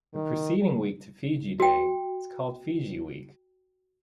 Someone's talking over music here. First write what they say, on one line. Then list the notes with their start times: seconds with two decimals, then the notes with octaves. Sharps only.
The preceding week to Fiji Day is called Fiji Week.
0.14 D#3
1.60 F#4 G5